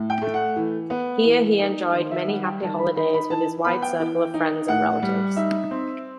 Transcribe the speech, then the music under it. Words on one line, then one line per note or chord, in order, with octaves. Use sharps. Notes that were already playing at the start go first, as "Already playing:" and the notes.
Here he enjoyed many happy holidays with his wide circle of friends and relatives.
Already playing: A2
G5
A3
F#5
E3
B3
E3
D#4
D#3 C5
E5
G3 F#5
G5
D#3 A5
B5
D#4 B5
B5
E3 A5
B3 B5
G5
E3
D#4
A2 F#5
G3
D#4 E5
C4